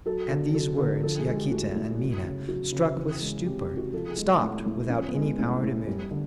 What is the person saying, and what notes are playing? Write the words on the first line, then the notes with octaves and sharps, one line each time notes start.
At these words Yaquita and Minha, struck with stupor, stopped without any power to move.
F#3 A4
D3
F#3 A4
D3 A#4
F3 A4
G#4
G#3
G4
A2 F#4
A2
F#3
C#3
F#3 F#4
C#3
E3
G#3
C3 G4
G4
C3
F#4
F3 A4
G#4
G#3
A2
A2
F3 C#4
B3
G#3
B3
A2 C#4
A2
G3
D3